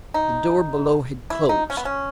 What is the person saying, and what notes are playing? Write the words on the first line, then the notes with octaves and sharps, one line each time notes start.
The door below had closed.
D#4
E4
D#4
C#4
B3
C#4